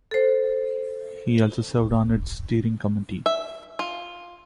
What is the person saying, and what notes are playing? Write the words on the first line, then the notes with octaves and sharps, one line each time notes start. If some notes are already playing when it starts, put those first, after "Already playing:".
He also served on its steering committee.
A4 C5
E5
F4